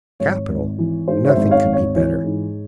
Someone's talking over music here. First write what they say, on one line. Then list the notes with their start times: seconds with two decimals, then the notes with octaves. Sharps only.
Capital; nothing could be better.
0.20 G#1 C#5
0.50 G#1
0.78 E3
1.08 G#2 C5
1.25 C#5
1.29 C5 E5
1.37 G#1
1.51 C#5 F5
1.65 G#1
1.73 C#5
1.95 E3 C#5
2.24 G#2